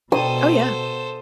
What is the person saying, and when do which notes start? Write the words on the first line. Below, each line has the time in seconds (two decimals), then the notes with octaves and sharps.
Oh, yeah.
0.12 B2 A4 C5 D#6